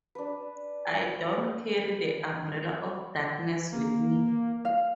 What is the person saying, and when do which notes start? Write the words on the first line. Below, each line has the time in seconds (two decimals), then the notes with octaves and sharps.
I don’t carry the umbrella of darkness with me.
0.15 D4 B4
3.73 A#3
4.65 F5